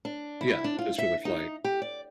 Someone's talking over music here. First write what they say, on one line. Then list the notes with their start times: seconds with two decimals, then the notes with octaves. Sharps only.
Yeah, just for the flight.
0.05 D4
0.41 E4
0.64 D4
0.79 F4
0.98 E5
1.25 D#4
1.64 G4
1.82 D5